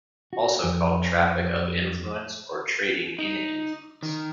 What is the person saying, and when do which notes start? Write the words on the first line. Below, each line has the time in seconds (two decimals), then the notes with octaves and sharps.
Also called traffic of influence or trading in influence.
0.33 F#4
0.64 F2
3.19 D#4
4.03 D#3